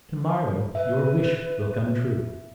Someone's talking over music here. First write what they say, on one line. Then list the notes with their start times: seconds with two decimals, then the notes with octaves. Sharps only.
"Tomorrow your wish will come true."
0.75 B4 E5